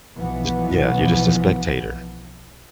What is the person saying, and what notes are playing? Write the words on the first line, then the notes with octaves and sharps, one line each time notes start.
J yeah, you're just a spectator.
B1 B2 E3 F3 B3